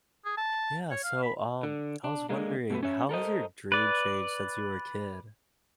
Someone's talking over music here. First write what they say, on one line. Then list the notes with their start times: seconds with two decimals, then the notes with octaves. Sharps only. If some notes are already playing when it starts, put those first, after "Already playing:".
Yeah, so, um, I was wondering, how has your dream changed since you were a kid?
0.25 G#4
0.37 A5
0.91 C#5
1.04 F5
1.23 B5
1.63 D3
2.04 D4
2.29 D3 G#3 A#3
2.70 B2 A3 B4
2.83 C#4 C#5 E5
3.09 A4 A#4 C5 D#5
3.72 B4 D5